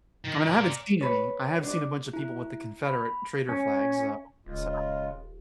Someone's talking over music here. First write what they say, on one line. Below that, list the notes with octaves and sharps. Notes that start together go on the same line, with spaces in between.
I mean, I haven't seen any, I have seen a bunch of people with the Confederate Trader flags, though, so.
D#3
A#4 D5
B4 C#5
D4 D5
E4
B5
C#4
D#1 C#3 G#3 F4